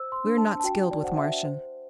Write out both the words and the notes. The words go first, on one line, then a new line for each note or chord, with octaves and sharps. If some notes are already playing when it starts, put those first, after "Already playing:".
"We are not skilled with Martian."
Already playing: C5 E6
C6
D4
A5
A5
F#4 G5
D5
C5 F#5
E5
C5